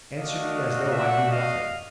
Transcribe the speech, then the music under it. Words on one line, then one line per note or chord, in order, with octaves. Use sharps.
"Answer me as though I knew nothing."
A3 D4 F#4 D#5 F5
E5 F#5
D#5 F5